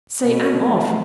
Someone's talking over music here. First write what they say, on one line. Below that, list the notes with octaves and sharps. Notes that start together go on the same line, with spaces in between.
Say, I'm off!
B2
F3 A3